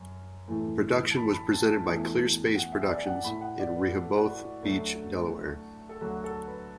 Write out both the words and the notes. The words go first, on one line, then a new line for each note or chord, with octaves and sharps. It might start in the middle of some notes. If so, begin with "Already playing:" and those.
The production was presented by Clear Space Productions in Rehoboth Beach, Delaware.
Already playing: F#2
A2 E3 A3
A5
B5
B5
A5
A5
E2 E3 A3
F#5
E5
D5
F#5
A2 A3 B5
F#5
D5
B4
A4
F#4
F#4
D2 D3 F#3 A3
A4
D2 D3 F#3 A3 F#4
A4
B4